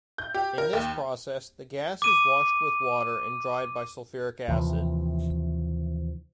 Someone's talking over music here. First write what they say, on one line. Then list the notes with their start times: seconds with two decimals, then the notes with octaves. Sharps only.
In this process, the gas is washed with water, and dried by sulphuric acid.
0.18 G6
0.34 G4
0.58 A#4
0.73 D#2
2.02 D6 D#7
4.48 D#2 C3 E3 F3